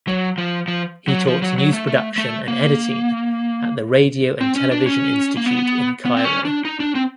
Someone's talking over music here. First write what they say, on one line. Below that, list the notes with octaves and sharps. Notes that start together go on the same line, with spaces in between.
He taught news production and editing at the Radio and Television Institute in Cairo.
F#3
F3
F3
F#3
F3
F#3
F#3
A3
A3
A3
A#3
C4
C#4
D4
C#4
A#3
B3
B3
C4
C#4
D4
D#4
D4
C4